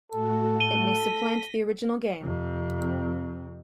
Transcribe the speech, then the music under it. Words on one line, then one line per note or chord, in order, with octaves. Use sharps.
It may supplant the original game.
A2 A3 F#4 A4
D#7 G7
A#6 B6
F2 C3